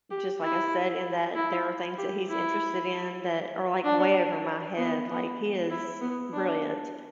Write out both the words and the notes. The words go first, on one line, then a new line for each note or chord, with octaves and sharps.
just like I said, in that there are things that he's interested in that are, like, way over my head, like, he is brilliant,
G4
E4
E4
G4
E4
D4
B3
B3
E4
B3
D4